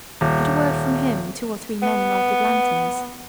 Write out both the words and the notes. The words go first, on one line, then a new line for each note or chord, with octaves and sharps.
At a word from him two or three men lighted lanterns.
D#1
B3